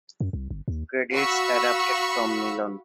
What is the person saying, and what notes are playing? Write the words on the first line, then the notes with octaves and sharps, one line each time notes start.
Credits adapted from Melon.
F#2
C2
G1
D#2
F#4 F5 B5 C#6 E6